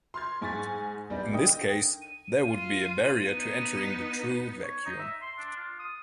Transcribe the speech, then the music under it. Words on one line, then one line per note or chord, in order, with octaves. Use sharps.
In this case, there would be a barrier to entering the true vacuum.
C6 F6 G#6
G#2 G#5 C#6 A6 B6
A#1 G3 B3 D#4 D5
D3 D#3 D#5 G5 D#6
D#7
F4
B3 D#4
C#5
D#4
E5
C6
D4
F4
D#6